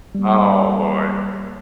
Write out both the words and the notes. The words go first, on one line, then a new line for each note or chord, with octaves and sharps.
Oh, boy.
G3 A#3